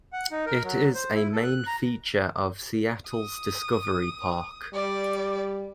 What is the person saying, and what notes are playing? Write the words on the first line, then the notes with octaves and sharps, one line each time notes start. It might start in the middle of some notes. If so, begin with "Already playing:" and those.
It is a main feature of Seattle's Discovery Park.
F#5
D#4
A#4
F#3
C5
E4
A4
F#6
A#5
D#6
G3 D5